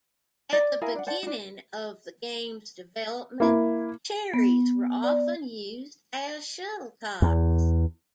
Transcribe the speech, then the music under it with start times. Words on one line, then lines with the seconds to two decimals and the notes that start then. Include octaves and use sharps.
At the beginning of the game's development, cherries were often used as shuttlecocks.
0.53 D5
0.81 E4 G#4 A#4 F5
0.95 D4 F#5
1.07 C5 D5 F#5 A5
1.23 D4 D#4
3.40 A#3 E4
4.34 B3
5.04 D5
7.22 E2